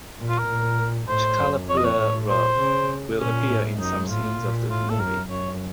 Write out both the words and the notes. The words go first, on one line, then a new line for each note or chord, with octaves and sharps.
Shkaplerov will appear in some scenes of the movie.
A#2
F4
A#4
A#2
A2 C5
F#2
F2 C#5
D#5
C#5
A2
A#2 C5
C#3
A#2 C#4
A2
F#2 D#4
A2 F4
A#2
A2 F4
A4
F#2 A#4
F#2 C#5